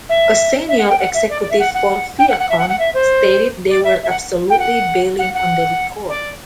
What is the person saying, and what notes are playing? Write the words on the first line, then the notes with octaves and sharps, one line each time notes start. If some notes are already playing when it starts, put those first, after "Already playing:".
A senior executive for Viacom stated they were absolutely bailing on the record.
E5
E5
F#5
G5
F#5
E5
D5
D5
E5
F#5
F#5
G5
F#5
F#5
E5
F#5
F#5
E5
C5
D5
E5
E5
F#5
G5
F#5
F#5
F#5
D5